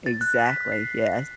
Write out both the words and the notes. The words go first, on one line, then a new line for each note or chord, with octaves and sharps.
Exactly, yes.
A6
F#6
B6
C7